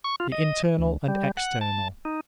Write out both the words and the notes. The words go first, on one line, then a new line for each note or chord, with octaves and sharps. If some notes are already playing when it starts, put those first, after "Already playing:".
The Internal and External.
C#6
F4
D#5
D2
G3
F#5
A5
D#4